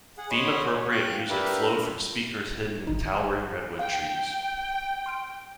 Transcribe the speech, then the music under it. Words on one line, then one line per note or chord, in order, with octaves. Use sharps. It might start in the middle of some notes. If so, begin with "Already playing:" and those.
Theme-appropriate music flowed from speakers hidden in towering redwood trees.
G#4 F#5
C#5 D#5 F#5 B5 C6
C#5
F5 G5 F#6
D4 G4 A#4 B4 E5 F5
G#1 D#4
F5 G5
C6 F6 D7